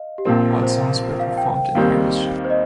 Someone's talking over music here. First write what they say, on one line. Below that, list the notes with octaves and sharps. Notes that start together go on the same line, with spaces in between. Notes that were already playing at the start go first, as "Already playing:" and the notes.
All songs were performed in Irish.
Already playing: D#5 F5
G4
A#1 A#2 F3 C4 A#4
C5
F5
F5
G5
G5
D#2 D#3 G3 C4 D#4 F5
C5
D#5